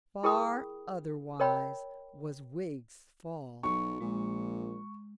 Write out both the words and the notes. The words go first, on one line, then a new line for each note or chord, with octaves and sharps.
Far otherwise was Wiggs's fall.
E4 G#4 A#4 G5 B5 D#6
A#4 C#5 D#5 G5 B5
B1 F#3 C#6
A#1 A#2 G#3